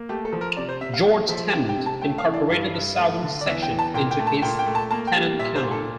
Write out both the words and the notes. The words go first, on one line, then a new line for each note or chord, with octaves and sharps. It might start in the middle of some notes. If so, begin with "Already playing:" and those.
George Tennant incorporated the southern section into his Tennant Canal.
Already playing: A#3
A3 G4
A4
F3
A#4
C3 D5
C5
C3 E5
F5
A#3 F5
F3 E5
C3 G5
G5
C3
A5
A3 G5
F5
E3
D5
G2 F5
G2
A3
D3
D5
E2 E5
G5
E2
A5
A#2 G5
G5
A3
A5
A#2 G5
G5
A3
A5
A#3 A5
G5
G3
A#2 E5
C5
A#2
A4